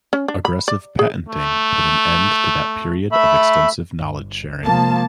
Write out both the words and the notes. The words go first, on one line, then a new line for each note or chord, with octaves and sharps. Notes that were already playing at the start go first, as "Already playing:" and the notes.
Aggressive patenting put an end to that period of extensive knowledge sharing.
C#4
D4
B5
D5
G#4
A3
A3 E5 B5
G1
C3 F3 G#3 A#3 A5